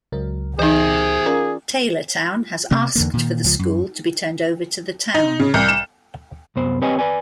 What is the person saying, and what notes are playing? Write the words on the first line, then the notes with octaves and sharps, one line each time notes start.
Taylortown has asked for the school to be turned over to the town.
C#2 F#3 A#4
E3 D#4 G#4 C5 E5
C#4 F4 A#4 D5
C3 A#3
E2 D3 A#3
A#2 D#3
C#2 F3
F#2
D#4
C#3
C2
E7
C2 F#2 B3 C5
C4 G4 B4 C#5 D#5 G#5
B4 D5 G#5